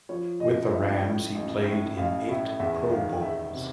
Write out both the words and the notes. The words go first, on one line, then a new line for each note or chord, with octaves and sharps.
With the Rams, he played in eight Pro Bowls.
F3 C#5
A1 D#5
A1 E5
A2
A1
A2
A1 F5
A2 E5
E2 E5
D#3 F5
E2 E5
C3